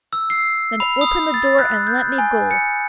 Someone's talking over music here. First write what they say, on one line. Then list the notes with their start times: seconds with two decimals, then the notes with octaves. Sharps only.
"Then open the door and let me go."
0.13 E6
0.30 C7
0.80 B5
1.01 D#6
1.34 A6
1.59 F#6
1.87 G6
2.18 G#5
2.51 C#7